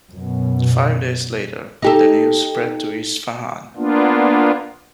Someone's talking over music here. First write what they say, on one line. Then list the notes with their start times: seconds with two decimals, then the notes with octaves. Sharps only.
Five days later, the news spread to Isfahan.
0.11 F#2 B2
1.82 D#4 G4 A4
3.77 A#3 B3 D4 F4